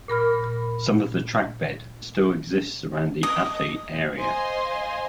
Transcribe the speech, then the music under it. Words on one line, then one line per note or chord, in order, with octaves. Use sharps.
Some of the trackbed still exists around the Athy area.
A#2 A#4 B5 F6
D#5
C5 D#5 F5 G#5 C6